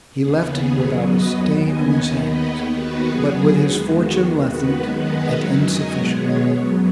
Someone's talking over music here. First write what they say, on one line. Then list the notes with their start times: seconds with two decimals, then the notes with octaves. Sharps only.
He left it without a stain on his hands, but with his fortune lessened and insufficient.
0.20 D#2 C#3 B3 G#4
0.48 G#4
0.76 F#2 F#3 B3 G#4 C#5
1.05 B4 D#5
1.33 D#2 D#3 B3 C#5 F#5
1.62 D#5 G#5
1.90 D#2 D#3 B3 C#5 F#5
2.19 B4 D#5
2.47 D#2 D#3 B3 G#4 C#5
2.76 F#4 B4
3.04 F#2 F#3 B3 G#4
3.62 D#2 D#3 G#3 B3
3.90 F#4
4.19 D#2 D#3 B3 G#4
4.47 F#4 B4
4.76 F#2 D#3 G#3 B3 B4 D#5
5.04 B4 D#5
5.33 F#2 D#3 F#3 C#5 F#5
5.61 D#5 G#5
5.90 B2 G#3 B3 C#5 F#5
6.19 G#4 C#5
6.47 F#2 F#3 B3